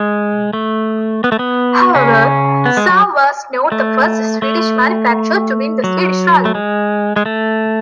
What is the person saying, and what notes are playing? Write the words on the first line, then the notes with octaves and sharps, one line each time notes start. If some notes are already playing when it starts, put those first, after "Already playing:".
However, Saab was not the first Swedish manufacturer to win the Swedish Rally.
Already playing: G#3
A3
B3
A3
B3
C#3 C#4
B3
G#3
F#3
A3
A3
F#3
A3
G#3
G#3
A3